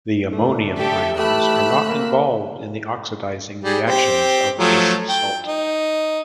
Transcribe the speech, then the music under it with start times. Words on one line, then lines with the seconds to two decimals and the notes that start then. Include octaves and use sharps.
The ammonium ions are not involved in the oxidising reactions of this salt.
0.33 D3 A3 D4
0.77 G4 A4 E5
1.19 E3 A3 G4 A5 B5 E6 F#6
1.87 A#3
3.64 G3 G#4
3.86 C4 G4
4.59 F3 F#3 A3
5.09 G5
5.46 D#4